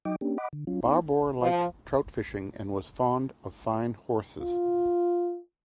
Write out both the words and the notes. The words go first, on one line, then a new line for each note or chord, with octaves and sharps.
Barbour liked trout fishing and was fond of fine horses.
F#3 D#4 D#5 G5 D6
A#3 C#4 D4 G4
D#5 F#5 B5 D6
D3
F#3 C#4 F4
B3 D#4
F3
F4